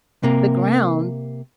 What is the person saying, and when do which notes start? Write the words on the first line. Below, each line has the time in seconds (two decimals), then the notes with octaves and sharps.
the ground.
0.23 C3 A#3